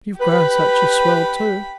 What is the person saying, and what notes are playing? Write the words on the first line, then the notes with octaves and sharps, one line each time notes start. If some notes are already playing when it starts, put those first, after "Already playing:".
You've grown such a swell, too.
G4 B4 B5